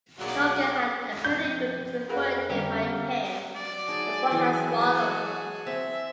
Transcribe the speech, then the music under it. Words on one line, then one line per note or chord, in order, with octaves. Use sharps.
The organ had apparently been perforated by a pin the boy had swallowed.
B1 F#3 F4 G#4 A#4 D5 F#5
F3 C4 G6
F2 F#4 G#4 A#4 B4 F5
D3 G3 A#3 C#4 G4
B3
F#3 D5
D#4 G#4 G#5 A5
E3
F#4
C4 E5